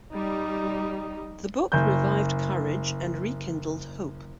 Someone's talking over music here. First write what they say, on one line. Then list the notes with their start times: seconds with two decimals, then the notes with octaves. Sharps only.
The book revived courage and rekindled hope.
0.13 G3 D#4
1.72 F#1 G6